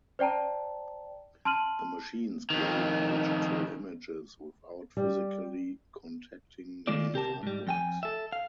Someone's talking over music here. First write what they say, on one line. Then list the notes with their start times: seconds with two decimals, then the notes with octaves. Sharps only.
The machines create digital images without physically contacting the artworks.
0.19 C5 D5 G5 A5 A#5
1.45 A5 C6 F6 D#7 F#7
2.50 F2 D#3
4.97 G3
6.87 D#3 G#3 A3 F4 D5
7.14 C3 G4 A#4 A5
7.43 G#2 G3
7.67 F2 G5 G#5
8.03 A4 E5
8.33 F5